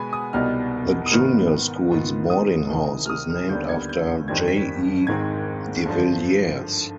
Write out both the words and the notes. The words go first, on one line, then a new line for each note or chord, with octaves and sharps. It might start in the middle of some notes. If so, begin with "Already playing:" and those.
The Junior School's boarding house is named after "J E De Villiers".
Already playing: B2 G#3 B3 G#5 B5
D#6
C2 B2 G3 B3 D#4 F6
D#6
G#2 D#3 B3 F6
G#2 D#3 B3 F4
D#6
C2 C3 D#3
F6
D#6
F6
D#2 D3 G3 B3 G6
G#6
G6
G1 F2 D#3 G3 C4 G#6
B6
G#1 G#2 D#3 G#3 C4 G#6
G2 D3 F3